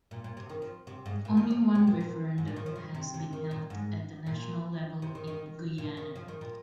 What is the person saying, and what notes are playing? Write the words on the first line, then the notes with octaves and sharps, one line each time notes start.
Only one referendum has been held at the national level in Guyana.
A#2
A#2
C3
D#3
F3
C3
G#2
A#2
D#3
F3
C3
A#2
A#2
G#2
A#2
D#3
F3
D#3
C3
C3
D#3
A#2
G#2
A#2
C3
D#3
D#3
A#2
D#3
F3
D#3
A#2